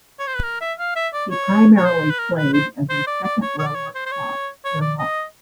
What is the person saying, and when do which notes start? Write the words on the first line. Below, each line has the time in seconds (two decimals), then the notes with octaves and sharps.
He primarily played as a second-rower, prop and lock.
0.19 C#5
0.27 C5
0.35 B4
0.43 A#4
0.61 E5
0.79 F5
0.96 E5
1.13 D5
1.31 C#5
1.76 C#5
1.84 C5
2.10 B4
2.18 A#4
2.37 B4
2.54 C5
2.90 C5
3.07 D5
3.24 D5
3.42 C#5
3.58 C#5
3.67 D5
3.75 C#5
3.95 C5
4.06 C5
4.12 C#5
4.65 C#5
4.81 D5
4.99 D#5